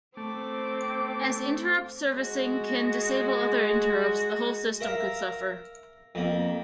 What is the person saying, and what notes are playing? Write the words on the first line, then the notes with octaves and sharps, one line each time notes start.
As interrupt servicing can disable other interrupts, the whole system could suffer.
A3 C4 D6
G#3 F#4
A#4 E5 F5 A#5
F2 A#3